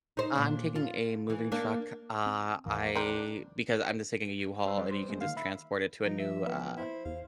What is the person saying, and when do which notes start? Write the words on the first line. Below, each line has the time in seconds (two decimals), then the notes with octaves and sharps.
I'm taking a moving truck. Uh, I because I'm just taking a U-Haul, and you can just transport it to a new, uh
0.17 D#4 C5
0.35 A#2 D4
0.76 F4
1.30 E3
1.52 A#3 D4
2.26 C4
2.66 D#2 G#2 E3 A#3
2.95 C4 D4 A#4
4.66 G3 C5 E6
4.78 G3 B4 D5
4.91 C5
5.08 G#3 A3 B3
5.21 D3 D#3 A#3 F5
5.37 E5 B5
6.05 F3 D#4
6.19 E5
6.47 B3
6.78 E4 C5
7.05 E2 F5